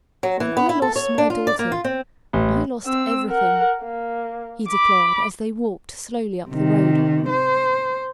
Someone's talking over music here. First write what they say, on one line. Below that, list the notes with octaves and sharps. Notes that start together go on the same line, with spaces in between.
"When I lost my daughter, I lost everything," he declared, as they walked slowly up the road.
F#3
E3
B3
E4
A4
C#5
D4
F4
D5
A#3
F4
C4
A1
C4 E6
A#4 F#5
A#3
B5 D6
C3 D#3
C5